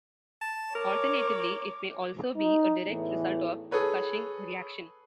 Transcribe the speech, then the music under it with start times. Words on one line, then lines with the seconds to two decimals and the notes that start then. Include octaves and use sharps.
Alternatively, it may also be a direct result of Cushing reaction.
0.41 A5
0.75 A#4 C#5 D6
2.36 D#4
2.84 E2 A2 E3
3.71 G#4 A4 B4 C#5